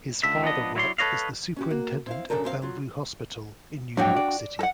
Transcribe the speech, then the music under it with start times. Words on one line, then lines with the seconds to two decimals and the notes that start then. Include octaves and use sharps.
His father worked as the superintendent of Bellevue Hospital in New York City.
0.23 C#2 D3 E5
0.42 F3 B3 D4 D#5
0.75 F#3 E4 F4 C#5 D5 C6
0.98 A4 B4 C#5 D#5 F5
1.56 C#4 F#4 G4
1.70 A#3 F#4
2.06 C4 E4 F5
2.30 F#2 C#3 C#4 D4 A4 A#4
2.44 F#2 C4 A4 F5
2.62 F#3 F4
3.97 F2 G#2 F#3 D4 F#4 G5
4.16 D5
4.59 A4 F#5